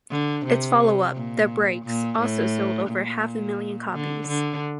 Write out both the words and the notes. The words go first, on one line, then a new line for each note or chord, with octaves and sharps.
Its follow-up, "The Breaks", also sold over half a million copies.
D3
C3
A#2
A#2
A2
A#2
D3
D3